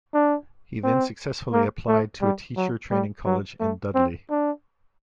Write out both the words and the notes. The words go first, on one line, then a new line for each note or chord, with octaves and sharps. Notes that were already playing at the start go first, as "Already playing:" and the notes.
He then successfully applied to a teacher training college in Dudley.
D4
C4
A#3
A3
G3
F#3
G3
F#3
A3
C4
D4